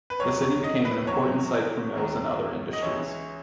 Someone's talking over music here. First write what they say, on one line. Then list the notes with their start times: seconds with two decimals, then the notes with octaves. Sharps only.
The city became an important site for mills and other industries.
0.10 B4
0.20 D#2 D#3 F#3 C#5
0.42 C#5
0.64 D#5
0.85 B4
1.07 E2 D#3 F#3 C#5
1.95 D#2 D#3 F#3
2.73 D#5
2.82 C#2 C#3 E3 C#5